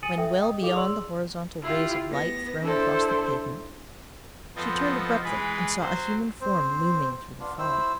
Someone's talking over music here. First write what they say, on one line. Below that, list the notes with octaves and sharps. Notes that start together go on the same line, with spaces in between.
When well beyond the horizontal rays of light thrown across the pavement, she turned abruptly and saw a human form looming through the fog.
G#5 D#6 A6 C#7 D#7 F#7
A4 E5 G5 D#6
D#5 G5 D#6
E4 G#4 A4 F5 D6 F7
G#4 C#5 D5 C6 E6 F#7
E4 F4 G4
B3 A#6
D4 E4 A4 C5
F3 B3 C4 A4 D#5
E3 G#3 G#4 B4
F#3 C5
C4 C5
B3 D4 F4
E4 C5 E6